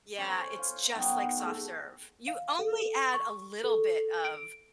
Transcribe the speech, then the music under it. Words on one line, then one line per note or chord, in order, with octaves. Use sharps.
yeah, it's just like soft serve. You only add a little bit of,
C#4 C5 G#5 C6
F4
F#2 B2 D#4 G5
G#3 A3
F5
A4
C#6
A4
D7